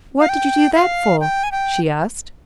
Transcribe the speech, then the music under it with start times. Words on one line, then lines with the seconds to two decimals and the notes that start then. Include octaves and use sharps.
"What did you do that for?" she asked.
0.20 F5
0.29 G5
0.75 F5
1.21 G5
1.44 G#5
1.52 G5